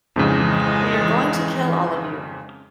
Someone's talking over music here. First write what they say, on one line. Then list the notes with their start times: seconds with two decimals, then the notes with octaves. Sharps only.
We are going to kill all of you.
0.16 F2 G#2 C#3 E3 G#3